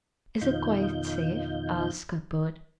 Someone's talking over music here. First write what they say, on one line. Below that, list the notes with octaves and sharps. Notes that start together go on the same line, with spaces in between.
"Is it quite safe?" asked Cuthbert.
F2 B2 D#3 D#4 F4 G6